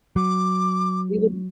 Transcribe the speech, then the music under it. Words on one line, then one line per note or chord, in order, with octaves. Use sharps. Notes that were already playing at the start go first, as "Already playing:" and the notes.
we would
F#3 D6